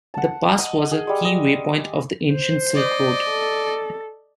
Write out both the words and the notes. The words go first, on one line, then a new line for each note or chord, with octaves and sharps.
The pass was a key waypoint of the ancient Silk Road.
F#5 A5
D#5
G#4
G3 G#3
D#5
C5
D5 D#5
A4